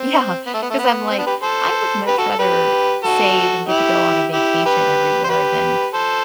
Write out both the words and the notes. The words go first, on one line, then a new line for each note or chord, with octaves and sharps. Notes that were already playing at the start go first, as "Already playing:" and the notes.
Yeah, 'cause I'm like, "I would much rather save and get to go on a vacation every year than
Already playing: C4
B3
A3
B3
A3
B3
C4
B3 D4
G4 B4
A4 C5
G4 B4
F#4 A4
A4
G4 B4
F#4 A4
E4 G4
E4 G4
G4 B4
C5
G4 B4
A4 C5